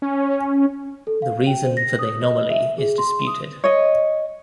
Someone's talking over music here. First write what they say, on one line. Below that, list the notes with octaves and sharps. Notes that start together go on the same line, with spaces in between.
The reason for the anomaly is disputed.
C#4
A4
F5
G5
C5
A#6
D#6
D#5
E5
G#4
C6
D#6
C#5 D#5